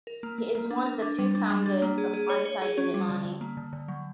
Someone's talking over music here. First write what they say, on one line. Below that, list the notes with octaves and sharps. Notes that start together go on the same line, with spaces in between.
He is one of the two founders of Inti-Illimani.
A#4
A#3
A#3
A#3
D4
A#4
D4
G3
D4
G3
D4
A#3
G#4
G#4
C#5
C#5
G#4
C#4
G3
D3
D3
A#3
D3
D3
F#3